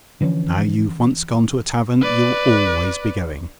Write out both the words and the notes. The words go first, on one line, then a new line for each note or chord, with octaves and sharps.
Now you've once gone to a tavern, you'll always be going.
D3 E3 F3 C#4
B4 D5